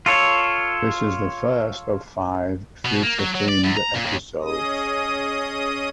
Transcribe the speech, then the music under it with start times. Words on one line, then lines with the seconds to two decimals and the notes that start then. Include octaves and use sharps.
This is the first of five future-themed episodes.
0.06 F4 A4 C#5
2.85 B2
3.03 A#3
3.19 F#3
3.34 F#3
3.48 D5
3.63 E2
3.76 A#5
3.94 A#2
4.06 D#2
4.42 C#4 G#4 D#5 D#6